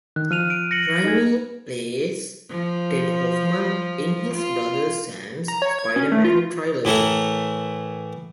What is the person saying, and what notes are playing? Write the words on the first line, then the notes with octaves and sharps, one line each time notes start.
Raimi plays Ted Hoffman in his brother Sam's "Spider-Man" trilogy.
D#3 F#6
F3 F6 D#7 F7
D7
A#6 C#7 F#7
D#4 G#4 G#6
F3
F4
A#5
C#5
G#6
C#4
A3
F4
A2 E3 A4 A#4